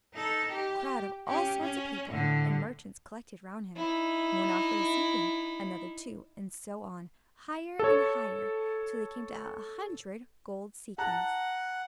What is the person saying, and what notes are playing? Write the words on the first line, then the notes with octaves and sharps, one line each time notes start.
A crowd of all sorts of people and merchants collected round him; one offered a sequin, another two, and so on, higher and higher, till they came to a hundred gold sequins.
D#4 A4
G4
C#4 G4
C#4
A2 D3
D#4 E4
A4 C#5
F#5 A5 A#5 F#6